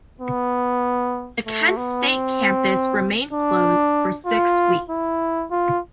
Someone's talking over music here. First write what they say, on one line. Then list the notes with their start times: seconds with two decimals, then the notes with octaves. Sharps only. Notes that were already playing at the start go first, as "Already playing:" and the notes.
The Kent State campus remained closed for six weeks.
0.20 B3
1.46 A3
1.77 B3
2.08 C4
3.33 D4
4.26 F4
4.90 E4
5.51 F4